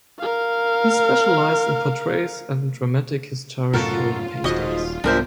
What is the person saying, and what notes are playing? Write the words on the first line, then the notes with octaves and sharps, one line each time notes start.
He specialized in portraits and dramatic historical paintings.
A#4 F5
F#2 A2 C#3 F4 F#4 A4 A#4
D#1 G#2 F#4 D#5
C2 G#2 G3 B3 D4 A#4 C5 E5